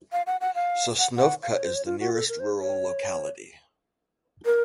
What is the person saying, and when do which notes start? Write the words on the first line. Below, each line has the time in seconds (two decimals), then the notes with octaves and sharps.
Sosnovka is the nearest rural locality.
0.12 F5
0.26 F#5
0.41 F#5
0.55 F5
0.99 F#5
1.16 F#5
1.43 F5
1.53 C#5
1.64 C5
1.74 C#5
1.86 F4
2.00 F#4
2.14 A4
2.29 A#4
2.39 C5
2.61 C#5
4.45 A#4